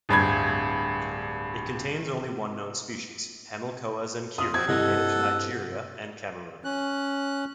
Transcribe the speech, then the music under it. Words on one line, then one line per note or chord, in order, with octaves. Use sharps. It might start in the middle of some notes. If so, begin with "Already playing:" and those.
It contains only one known species, Hamilcoa zenkeri, native to Nigeria and Cameroon.
D1 G2 B5 G#6
F4 D#6
C4 F#4 G#6
G2 C3 E4 A4 D#5 F#5 E6
C#4 F#6